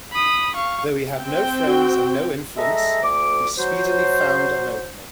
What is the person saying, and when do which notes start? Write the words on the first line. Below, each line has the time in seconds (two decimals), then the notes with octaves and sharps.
Though he had no friends and no influence, he speedily found an opening.
0.12 B5 D#6
0.55 F5 C#6
1.17 C4 G5
1.66 F#4
2.57 G#3 A4 E5 A#5
3.03 D2 D6
3.58 F#3 C5